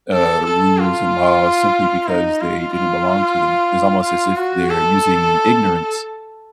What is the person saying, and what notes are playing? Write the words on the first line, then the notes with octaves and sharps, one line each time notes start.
uh, rules and laws simply because they didn't belong to them, it's almost as if they're using ignorance
A4
A4
F4
D#4
F4
F4
F4
F#4
A4